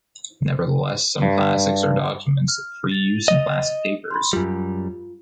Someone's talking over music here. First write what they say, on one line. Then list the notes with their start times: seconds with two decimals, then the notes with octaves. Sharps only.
Nevertheless, some “classics” are documents of free use in Classic papers.
1.22 G2
2.48 F6
2.91 A6 F7
3.28 D#5
4.11 B5 C6
4.33 F#2 G3 F4